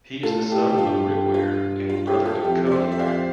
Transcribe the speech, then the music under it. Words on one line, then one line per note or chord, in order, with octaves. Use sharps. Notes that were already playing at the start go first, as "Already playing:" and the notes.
He is the son of Rick Ware and brother of Cody Ware.
A2 F4 A4
A4
E4 G4
G4
G2 F4
F4
F4
E4 G4
F4 A4
F2 E4 G4
D5
C5 E5
E5
D5 F5